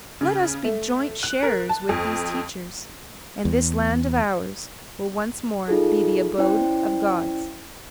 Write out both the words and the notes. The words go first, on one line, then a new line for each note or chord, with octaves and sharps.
Let us be joint sharers with these teachers, and this land of ours will once more be the abode of gods.
C#3
A3
F#6
A#4
A5
F2
E2
D#4 F4 G#4 A4
C#4 E4 C5 D5 G5